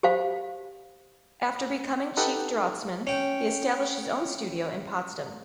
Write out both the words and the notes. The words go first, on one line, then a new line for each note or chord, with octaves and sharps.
After becoming chief draughtsman, he established his own studio in Potsdam.
G4 C5 F5
D#4 G4 A4 B4 D#5 F#5
C#4 G5